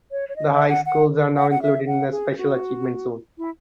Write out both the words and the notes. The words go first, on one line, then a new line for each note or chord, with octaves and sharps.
The high schools are now included in a special Achievement Zone.
C#5
C#5
D#5
E5
F#5
F#5
F#5
F#5
E5
F#5
G#4
G#4
F#4
E4